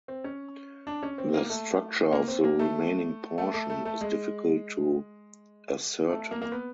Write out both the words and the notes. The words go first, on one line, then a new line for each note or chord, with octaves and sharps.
The structure of the remaining portion is difficult to ascertain.
C4
C#4
D4
C#4
C4
A#3
A3
A#3
C4
A#3
A3
A3
A3
A3
A3
G#3
A3
A#3
A#3
B3